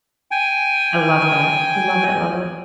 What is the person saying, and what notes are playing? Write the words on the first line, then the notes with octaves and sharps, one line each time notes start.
I love that, love it, love it.
G5 G#5